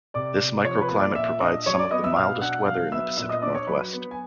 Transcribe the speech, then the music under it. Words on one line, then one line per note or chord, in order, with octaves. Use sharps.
This micro-climate provides some of the mildest weather in the Pacific Northwest.
C3 D5 D6
C3
F3 C#5 C#6
B4 B5
A#3
D5 D6
A#2 E5 E6
D4 D#5 D#6
F#3 C#5 C#6
D5 D6
B3 D#5 D#6
E5 E6
B2 F5 F6
D4 F#5 F#6
F#3 F5 F6
B3 E5 E6
A#2 E5 E6
D#5 D#6
D4 D5 D6
C#5 C#6
F#3 B4 B5
B3
G#5